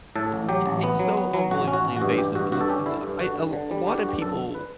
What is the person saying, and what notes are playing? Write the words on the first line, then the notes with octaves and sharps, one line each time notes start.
it's it's so unbelievably invasive, and it's it's a I uh, l a lotta people,
A2 A4
A1
F#3 G4
A1
B3
F#3
B3
F#3
A1 F#4
C#4
F#4
A1
F#4
G2
A1 G4
G2 F#4
G2 F#4
A4
C#4 G4
D3 E4
G2
D3 F#4
G2
D3
G3
D3 G4
F#4
G2 G4
F#2 A4
D3
B4